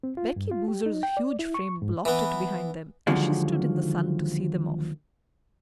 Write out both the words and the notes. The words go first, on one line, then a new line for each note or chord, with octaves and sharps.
Becky Boozer's huge frame blocked it behind them as she stood in the sun to see them off.
C4
F4
G2
F4
G4
D#4
G5
D5
E4
C#6
G#2
E3 B3
D#2 D3 F3 F#3 G#3